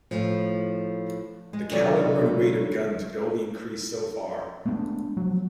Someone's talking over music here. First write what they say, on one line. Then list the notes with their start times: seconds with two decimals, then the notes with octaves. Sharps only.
The calibre and weight of guns could only increase so far.
0.11 A2 F3
1.53 G#3
1.72 D3 D#3 F#3 B3 F4 D5
4.66 G#3 A3 B3 D4
5.17 F3 F#3